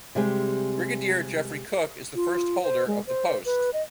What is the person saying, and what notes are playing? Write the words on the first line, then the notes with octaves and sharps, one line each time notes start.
Brigadier Jeffrey Cook is the first holder of the post.
C3 G3 G#3
F4
C5
G#3
C5
B4
D#5